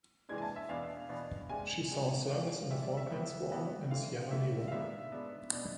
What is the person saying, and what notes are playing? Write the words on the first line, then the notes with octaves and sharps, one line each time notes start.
She saw service in the Falklands War and Sierra Leone.
E2 C3 E3 G#3 D4 G#6
G#5
A5
E5
E2 B2 B3 D4 F5
E2 B2 B3 D4
C3 G#3 D4 G#5
C3 G#3 D4
F2 C3 G#3 D4 F5
F2 C3 G#3 D4 E5
D5
E5
F2 C3 E3 B3 E4
F2 C3 E3 B3 E4
F2 D3 A3 F5
F2 D3 A3 E5
F5
G#2 G#3 B3 D4 E5
G#2 G#3 B3 D4
B2 B3 D4